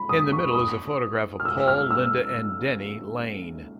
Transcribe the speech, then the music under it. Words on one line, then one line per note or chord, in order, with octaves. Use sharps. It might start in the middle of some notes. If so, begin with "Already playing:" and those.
In the middle is a photograph of Paul, Linda, and Denny Laine.
Already playing: B5
D#6
C#6
D#6
F6
E6
F6
E6